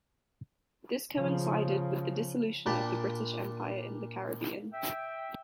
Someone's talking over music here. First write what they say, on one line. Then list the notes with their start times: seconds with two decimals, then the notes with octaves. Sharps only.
This coincided with the dissolution of the British Empire in the Caribbean.
1.13 C#3 F3
2.66 A#2 D4 G5 A5 B5
4.73 E5 G5